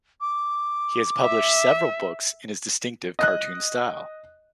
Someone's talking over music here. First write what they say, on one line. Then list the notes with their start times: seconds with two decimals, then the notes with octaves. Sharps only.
He has published several books in his distinctive cartoon style.
0.21 D6
1.22 E5
3.19 D#5 F#6